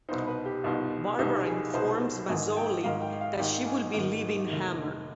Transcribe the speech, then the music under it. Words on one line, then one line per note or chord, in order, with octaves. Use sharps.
Barbara informs Mazzoli that she will be leaving Hammer.
C2 B2 B3 D#4 C5
B4
G4
C2 B2 B3 D#4 F4
C2 B2 B3 D#4 G4
G#4
C2 B2 B3 D#4 C5
G#1 G#2 D#3 G#5
G5
G#1 G#2 D#3 F5
G5
F5
G#1 G#2 D#3 G5
G#5
G#1 G#2 D#3
F1 D#2 D#3